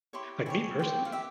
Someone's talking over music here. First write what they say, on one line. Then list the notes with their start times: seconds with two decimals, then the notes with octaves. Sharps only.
like me personally,
0.13 E4 G4 C#5 C6
0.46 E4 G4 C#5 G#5
0.79 G4 C5 G5
1.05 F5
1.12 G4 E5